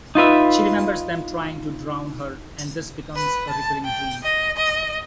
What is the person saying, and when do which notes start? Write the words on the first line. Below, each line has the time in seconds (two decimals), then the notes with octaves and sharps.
She remembers them trying to drown her, and this becomes a recurring dream.
0.15 D#4 F4 B4 E5
3.16 B4
3.50 A5
3.85 G5
4.23 D#5
4.57 D#5